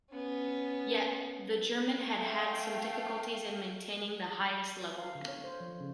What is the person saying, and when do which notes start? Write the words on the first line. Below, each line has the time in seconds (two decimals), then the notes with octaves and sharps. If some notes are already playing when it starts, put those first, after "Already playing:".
Yet, the German had had some difficulties in maintaining the highest level.
0.11 B3 C#4
2.13 A3 F5 G5
4.97 F5
5.15 D3
5.28 C#5
5.44 C5
5.60 F3
5.80 C#3